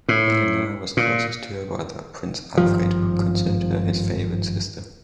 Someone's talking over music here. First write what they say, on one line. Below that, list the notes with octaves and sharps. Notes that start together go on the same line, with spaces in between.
Helena was closest to her brother, Prince Alfred, who considered her his favourite sister.
A2
A#2
G#1 G2 F3